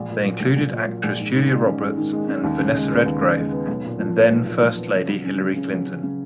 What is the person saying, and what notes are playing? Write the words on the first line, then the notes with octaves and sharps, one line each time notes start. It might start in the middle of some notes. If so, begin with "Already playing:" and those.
They included actresses Julia Roberts and Vanessa Redgrave and then-First Lady Hillary Clinton.
Already playing: A#1
A#2
F#3
A#1
A#1
A#2
F#3
A#1
G#2
D#3
G#3
C#4
G#2
D#3
G#3
C#4
D#2
C#3
G#3
B3
D#2
C#3
G#3
B3
B1
A#2
F3
B3
B1
A#2
F3
B3
C#3
F#3
C#4
C#3
C#3
F#3
C#4
C#3